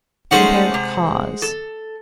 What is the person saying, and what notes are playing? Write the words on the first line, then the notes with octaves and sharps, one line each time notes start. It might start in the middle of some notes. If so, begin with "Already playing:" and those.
Compare CAUSE.
G#3 A3 C#4 D#4 C5 F#5
C3
A4